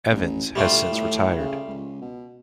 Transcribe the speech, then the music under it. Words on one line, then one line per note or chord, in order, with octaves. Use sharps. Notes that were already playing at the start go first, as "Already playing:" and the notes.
Evans has since retired.
A1
D2 G3 A3 F4
A2
C#3
C#2
B2